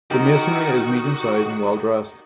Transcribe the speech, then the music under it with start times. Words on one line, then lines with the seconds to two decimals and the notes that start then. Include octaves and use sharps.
The masonry is medium-size, and well-dressed.
0.11 D#3 F#4 G4 A#4